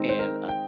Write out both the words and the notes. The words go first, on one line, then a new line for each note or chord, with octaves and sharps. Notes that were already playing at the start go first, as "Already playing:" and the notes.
and I
Already playing: D#3 G#3 C4 D#4
C5
A#4
G5